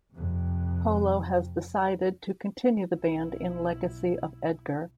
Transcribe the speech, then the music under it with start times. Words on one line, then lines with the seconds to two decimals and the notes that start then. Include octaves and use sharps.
Polo has decided to continue the band in legacy of Edgar.
0.12 F2 C3
2.93 B1 E4